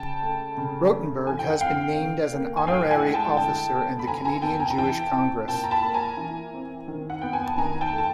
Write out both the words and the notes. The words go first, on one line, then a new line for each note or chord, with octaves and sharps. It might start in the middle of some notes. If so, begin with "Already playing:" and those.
Rotenberg has been named as an honorary officer in the Canadian Jewish Congress.
Already playing: C#3 G5 A5
A3
C#3
A3
E3 G#5
G5
F#5
C4 F5 G5
D3
A#3
G#5
A2 F5 G5
F#5 G#5
G#3
G5 A5
D3 G5 A5
B3
B5
D3 G#5 A#5
G#5 A#5
B3 G5 A5
G#5 A#5
A#5
E3 G5 A5
C4
A#2 G5 A5
A#5
A5 B5
A#3
G#5 A#5
E3
C4
D#3
F#5
B3 G5
G#5
A5
D#3 G#5 A#5
G5 A5
A3
A5